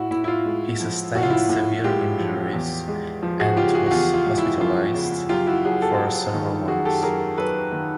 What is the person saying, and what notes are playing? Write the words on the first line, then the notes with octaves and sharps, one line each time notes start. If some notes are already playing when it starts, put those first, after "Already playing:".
He sustained severe injuries and was hospitalized for several months.
Already playing: A2 E4 F#4
A2 E4
E4
F4
G#3
F3
A2 F#4
F4
E4 F#4
A2
G#3 F4 G4
F3
E2
G#3
F3
F#4 G#4
C#3 F4 G4
F#4 G#4
F#4
E2 F4 G4
F4
G#3
E4
F3 F4
C#3
F#2 F4 G4
E4 F#4
F#2 F#4 G#4
G4 A4
F#3
D#3
F#2 F#4 G#4
G4 A4
F#2 G#4 A#4
F#3 A4 B4
D#3